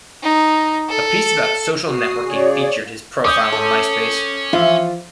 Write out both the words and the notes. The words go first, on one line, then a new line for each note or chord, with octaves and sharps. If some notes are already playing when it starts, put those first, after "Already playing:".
A piece about social networking featured his profile on MySpace.
D#4
A4
F#4 D#6 C7
C#3 G#4 C#5 D5
C#4 D6 D#6 G6
A4
E3 F3 F4 E5